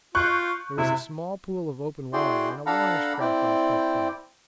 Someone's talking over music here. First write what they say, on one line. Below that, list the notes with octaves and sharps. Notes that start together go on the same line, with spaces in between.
There was a small pool of open water and a longish crack off Hut Point.
F4 C#6 F#6 G6
C3 E4
E4 F#4 G#4 D5 G5 C6
D4 A4 F5 F#5 A#5 B5
C4 E4 D5 G5